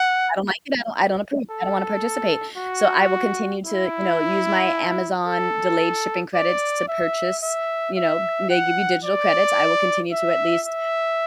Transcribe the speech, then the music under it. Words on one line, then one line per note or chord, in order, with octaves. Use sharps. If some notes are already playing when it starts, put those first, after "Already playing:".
I don't like it, I don't approve, I don't wanna participate. So, I will continue to, you know, use my Amazon delayed shipping credits to purchase, you know, they give you digital credits. I will continue to at least
Already playing: F#5
A4
F#4
E4
A4
D5
E5
E5
E5
F#5
D5
E5
E5